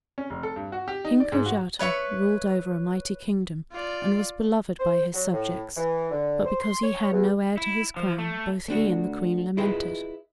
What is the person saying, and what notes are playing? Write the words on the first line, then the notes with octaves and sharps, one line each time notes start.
King Kojata ruled over a mighty kingdom, and was beloved by his subjects; but because he had no heir to his crown, both he and the Queen lamented.
C#4
F1
A4
G2
F#4
G4
D#4
D5
G#2
F#4
B4 C#5 E5 C#6
F4 D5
C5
F#3
A2
E3
D3
C5
C6
C#5
E2
E4
F3
A3
A3 D4 F#4
E4 F4 G#4 B4 D#5 E5